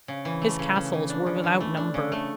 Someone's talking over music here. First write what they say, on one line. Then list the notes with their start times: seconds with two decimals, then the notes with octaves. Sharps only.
His castles were without number.
0.08 C#3
0.25 E3
0.42 A3
0.59 C#3
0.76 C#3
0.93 E3
1.10 D4
1.26 C#3
1.44 E3
1.60 A3
1.77 D4
1.94 C#3
2.12 A3